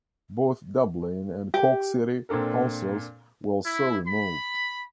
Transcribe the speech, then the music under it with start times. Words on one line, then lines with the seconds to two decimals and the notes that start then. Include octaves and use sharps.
Both Dublin and Cork city councils were so removed.
1.54 G4
2.29 A#2 C4 D4 A4 A#4
3.66 E4
4.08 B5